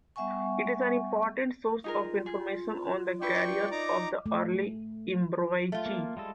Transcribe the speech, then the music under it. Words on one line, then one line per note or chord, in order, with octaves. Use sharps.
It is an important source of information on the careers of the early Embriachi.
G3 B3 E5 F#5 G#5 C#6
D#4 F4 G#4 A#4
G#4
D4 E4 B4 D5 G5 C#6
D#4 A#5 D6
A3
A3 F4
A#3
G3 G#3 A4